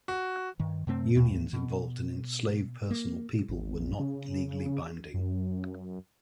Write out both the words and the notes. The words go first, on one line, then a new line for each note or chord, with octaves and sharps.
Unions involving an enslaved person or people were not legally binding.
F#4
G2 D#3
F#2 C3 A3 C4
D#2 A2
B2
A#3
G#1
A#1
C#3
F#2